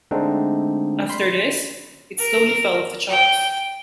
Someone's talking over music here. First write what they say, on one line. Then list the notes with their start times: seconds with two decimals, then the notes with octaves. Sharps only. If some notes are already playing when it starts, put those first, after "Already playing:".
After this, it slowly fell off the charts.
0.11 D3 G#3 A3 C4 D4 D#4
1.09 B5 C6
2.19 A#4
3.09 G5